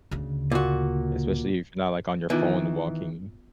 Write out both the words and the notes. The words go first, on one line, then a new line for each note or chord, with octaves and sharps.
Especially if you're not, like, on your phone and walking,
D2 C#3
A#2 F#4
D#3 E3 B3 F4